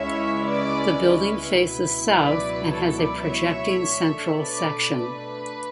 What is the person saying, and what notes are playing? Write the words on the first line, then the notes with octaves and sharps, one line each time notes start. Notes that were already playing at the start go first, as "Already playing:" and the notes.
The building faces south, and has a projecting central section.
Already playing: C#2 C#3 G#3 C#4 E4 C#5 E5
B4 D5
B4
C#2 B2 F#3 B3 E4
B4 D5
A4 C#5
B4 D5
C#5 E5
B2 A3 D4
B4 D5
B4